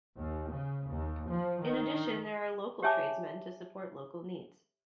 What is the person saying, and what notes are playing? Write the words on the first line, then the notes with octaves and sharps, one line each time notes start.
In addition there are local tradesmen to support local needs.
D#2
C#3
D#2
F3
D#3
G4 C#5 E5 G#5 A5 D6